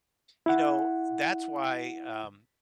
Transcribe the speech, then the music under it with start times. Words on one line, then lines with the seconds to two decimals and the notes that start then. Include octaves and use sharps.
you know, that's why, um,
0.46 E4 F#5